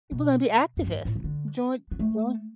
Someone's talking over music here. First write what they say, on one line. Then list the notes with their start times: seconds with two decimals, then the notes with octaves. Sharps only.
we're gonna be activists, join join
0.12 B2
0.77 F#2
0.87 G2
1.05 A2
1.16 C#3
1.24 D3
1.91 B3
1.99 A3